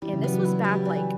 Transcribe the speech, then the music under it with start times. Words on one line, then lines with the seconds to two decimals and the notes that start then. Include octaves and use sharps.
and this was back, like,
0.02 E3 G3 E4
0.13 C#3 C#4
0.23 F#3 B3 F#4
0.34 F#3 F#4
0.45 E4
0.64 G3
0.85 E3